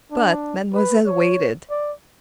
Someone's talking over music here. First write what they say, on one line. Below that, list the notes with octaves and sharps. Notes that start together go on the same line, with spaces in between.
But Mademoiselle waited.
D4
B4
C#5
D5